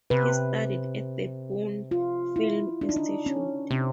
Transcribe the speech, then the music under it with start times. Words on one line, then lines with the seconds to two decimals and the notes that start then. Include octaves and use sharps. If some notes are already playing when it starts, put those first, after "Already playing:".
He studied at the Pune Film Institute.
0.10 C3 B4
1.91 F4
2.36 E4
2.81 D4
2.89 D#4
2.96 D4
3.26 C#4
3.71 C3 C4